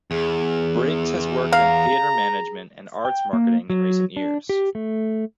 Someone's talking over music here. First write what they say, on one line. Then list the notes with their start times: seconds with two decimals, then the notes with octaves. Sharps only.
Briggs has worked in theatre management and arts marketing in recent years.
0.11 E2 G#4
1.53 F5 A#5
3.05 G5
3.33 A#3
3.70 F#3
4.17 D4
4.49 G4
4.75 A3